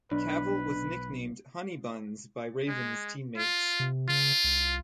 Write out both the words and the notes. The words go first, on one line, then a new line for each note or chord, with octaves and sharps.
Cavil was nicknamed "Honey Buns" by Ravens teammates.
B1 D4 B4
G#3
F4
C3
C#3 F4
C2